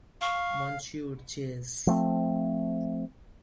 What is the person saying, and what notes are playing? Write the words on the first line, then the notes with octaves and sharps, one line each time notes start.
Monsieur chasse!
F5 C#6
F3 A3 C4